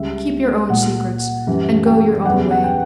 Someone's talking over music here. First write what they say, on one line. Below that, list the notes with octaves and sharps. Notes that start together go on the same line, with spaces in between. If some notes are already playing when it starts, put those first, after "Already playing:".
Keep your own secrets, and go your own way.
Already playing: C#2 C#3 G3 E5
A#2 G3 F#5
F#2 E3 G3
G5
E2 C#3 E3 G3 F#5
F#5
G5